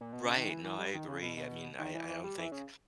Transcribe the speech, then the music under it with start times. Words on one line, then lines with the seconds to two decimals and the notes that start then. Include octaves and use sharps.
Right, no, I agree, I mean, I I don't think,
0.01 A#2
0.13 B2
0.25 C#3
0.37 D#3
0.50 E3
0.64 E3
0.79 G3
0.94 D#3
1.08 C#3
1.22 B2
1.37 B2
1.79 D#3
1.94 E3
2.09 E3
2.24 G3
2.38 E3
2.52 C#3